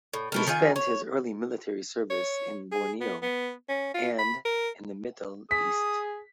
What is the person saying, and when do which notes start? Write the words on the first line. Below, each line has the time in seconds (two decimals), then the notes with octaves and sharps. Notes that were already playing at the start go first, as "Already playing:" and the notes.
He spent his early military service in Borneo and in the Middle East.
0.14 A2
0.32 B2 A3 A#4
0.47 D#3 D#4 F4 G#5
0.76 C#5
2.10 C#5
2.72 G#4
3.01 B3
3.22 B3
3.68 C#4
3.94 F4
4.18 B5
4.45 A#4
5.51 G#4 D#6 B6